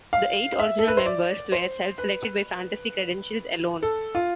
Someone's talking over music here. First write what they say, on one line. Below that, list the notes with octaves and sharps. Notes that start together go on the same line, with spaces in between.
The eight original members were self-selected by fantasy credentials alone.
F5
E5
A4
B4
C5
D5
C5
B4
A4
F4